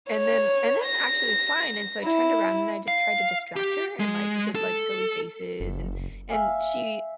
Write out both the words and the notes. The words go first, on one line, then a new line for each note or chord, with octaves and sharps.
and then and then, actually, it was fine, and so I turned around and I just tried to distract her and, like, did, like, silly faces, and and she
C#5
A#6
E4
F5
G4
G#3
A4
F#1
E5 F5 G#5